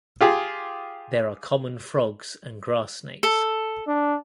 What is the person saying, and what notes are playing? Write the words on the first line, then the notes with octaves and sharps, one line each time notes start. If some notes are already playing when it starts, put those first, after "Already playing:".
There are common frogs and grass snakes.
F4 G4 G#4
A4
D4